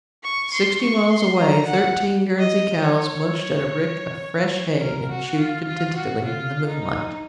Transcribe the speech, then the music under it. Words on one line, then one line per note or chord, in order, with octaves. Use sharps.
Sixty miles away, thirteen Guernsey cows munched at a rick of fresh hay and chewed contentedly in the moonlight.
C#6
C6
C#6
C6
A#5
F#5
D#5
C#5
C5
A#4
F#4
F4
F4
F#4
F4
D#4